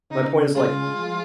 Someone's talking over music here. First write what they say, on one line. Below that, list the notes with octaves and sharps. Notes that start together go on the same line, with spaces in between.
my point is like,
C#3 D#4
G#3 F4
F3